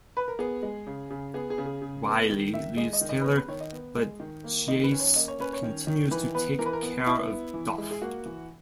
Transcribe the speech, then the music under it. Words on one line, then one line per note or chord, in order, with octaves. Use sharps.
Wylie leaves Taylor, but Jase continues to take care of Duff.
B4
A#4
B3 G#4
G#3
C#3
C#3
B3 G#4
G#4
C#3
G#4
C#3
B3
D#3
D#3 E5
G#3 D#5
D#5
D#3
D#5
B4
B3 C#5
B4
D#3 C#5
D#5
B3
G#3
D#3
A#3
D#3 D#5
B4
C#4
C#5
A#3 D#5
C#5
C#4 B4
C#5
D#3
D#3
E3 B4
B3 B4
E3 A#4
B4
A#4
B3
B3 E4
B3
E3
G#3
G#4
A#3 F#4
E3